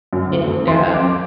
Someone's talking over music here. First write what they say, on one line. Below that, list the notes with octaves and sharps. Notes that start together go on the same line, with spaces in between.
and, um
F#2
D2
F2
C6
D6